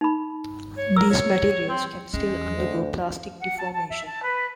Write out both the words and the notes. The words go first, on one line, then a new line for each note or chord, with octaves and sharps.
These materials can still undergo plastic deformation.
D#4 B5
C#5
A#4 E6
C#5
C4
E2 G#3 C#4
D2 C5
F#5
A5
A5
E5
A5
B4